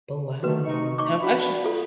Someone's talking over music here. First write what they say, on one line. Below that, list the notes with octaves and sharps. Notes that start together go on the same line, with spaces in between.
"But why?" And I've actually
D3 D#3 A3 F#4 B4
C3 D#4 C#6
D#4 C#6 D6
D4 F#4 B5
F4 A4